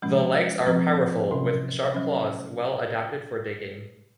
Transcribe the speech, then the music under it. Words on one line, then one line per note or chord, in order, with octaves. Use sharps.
The legs are powerful with sharp claws well adapted for digging.
F3 G#3 C#4
A#2 F3 C4
C3 F#3 C#4
F#3 C#4